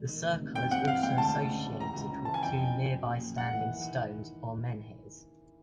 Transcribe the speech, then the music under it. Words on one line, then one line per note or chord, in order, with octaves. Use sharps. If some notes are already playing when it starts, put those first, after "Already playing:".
The circle is also associated with two nearby standing stones or menhirs.
Already playing: E1
D#3
D2
C3
G2 G5
C4 F#5
E3 F5
G#3 G5
D2 A5
D2
C#3
E3
C#2 A#5
C#2
C#3
E3 A5
G#5
F2 G5
F2
C#3
F#3
A#1
A#1
G#2 F#5
E3
D#3